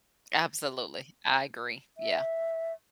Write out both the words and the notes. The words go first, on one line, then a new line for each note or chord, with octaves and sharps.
Absolutely, I agree, yeah.
E5